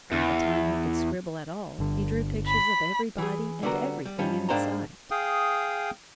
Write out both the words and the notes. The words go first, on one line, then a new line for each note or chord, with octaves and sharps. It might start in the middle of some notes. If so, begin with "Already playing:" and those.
From the time he could scribble at all he drew pictures of everybody and everything in sight.
E2
G1 D3
B5
E3 G#4
D3 G3 B3 F#4 G4 A#4
G3
G2 F3 G3 C#4 D#4
G#2 A#3 D4 C5 G5 A#5
G#4 F5 G5 D#6